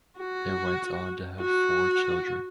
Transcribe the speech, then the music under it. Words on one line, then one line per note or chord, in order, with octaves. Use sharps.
They went on to have four children.
F#4
F#4